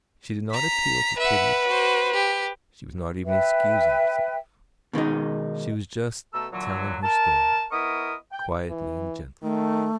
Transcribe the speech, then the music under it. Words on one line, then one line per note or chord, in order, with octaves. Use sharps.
She did not appeal for pity, she was not even excusing herself; she was just telling her story quietly and gently.
A#5 B6
B4 E5 F#5
F#4 C5
G4
B4 E5 G5
B2 D#3 G#3 D#4
B2 A3 A4 A#5 E6
A#2 D3 E3 F#3
A#4 A5
B3 E4 A#4 D#5 C#6 D#6
G5
E3
D#3 A3